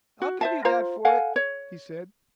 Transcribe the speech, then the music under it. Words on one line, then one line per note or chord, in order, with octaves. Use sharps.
"I'll give you that for it," he said.
F#4
C5 E5 A5
F4 C5 F5 A#5
A4 F5 F#5 G#5
C#5